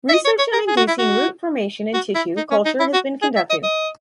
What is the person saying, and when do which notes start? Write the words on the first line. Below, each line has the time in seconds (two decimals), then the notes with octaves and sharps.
Research on inducing root formation in tissue culture has been conducted.
0.09 E5
0.14 D#5
0.25 C#5
0.39 C#5
0.53 A#4
0.68 G#4
0.77 F#4
0.88 E4
0.99 F#4
1.94 F#4
2.15 E4
2.37 D#4
2.51 C#4
2.65 D#4
2.80 E4
2.93 F#4
3.22 G#4
3.36 E5
3.50 D#5
3.63 D#5